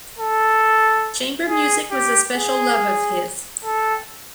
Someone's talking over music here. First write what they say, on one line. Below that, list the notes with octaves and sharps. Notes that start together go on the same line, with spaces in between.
Chamber music was a special love of his.
A4
G#4
G4
G#4
A4